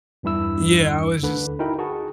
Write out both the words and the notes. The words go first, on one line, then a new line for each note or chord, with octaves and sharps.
Yeah, I was just
E2 G2 D4 E4 E6
D2 D3 B4
D#4 E4 F#4 A#4 G5 B5
F#4 G#4 A5 C#6